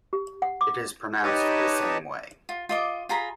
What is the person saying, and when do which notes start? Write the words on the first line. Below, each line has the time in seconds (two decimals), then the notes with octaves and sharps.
It is pronounced the same way.
0.13 G4
0.42 F#5
0.61 D6
1.23 D#4 G4 B4 C#5 D#5 A5
2.49 F4
2.69 F4 D#5 D6
3.09 F4 G#4 A#5 B5